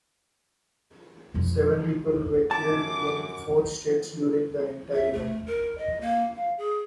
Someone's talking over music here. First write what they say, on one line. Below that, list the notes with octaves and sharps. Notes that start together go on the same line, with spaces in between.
Seven people were killed in four states during the entire event.
E1 F2
F#2 A5 D6
E5
A3
A#4
D#5
A#3
F5
G#4